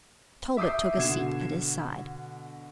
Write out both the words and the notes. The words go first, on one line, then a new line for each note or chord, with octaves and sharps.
Talbot took a seat at his side.
E5 D6 D#6 G6 C7
B2 D3 G#6 C7 E7